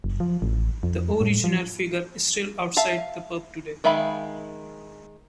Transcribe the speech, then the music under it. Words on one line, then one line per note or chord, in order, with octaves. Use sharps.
The original figure is still outside the pub today.
F#1
F3
A1
F2
A2
F3
E5 F5 A5
D#3 G#3 E5 F5 B5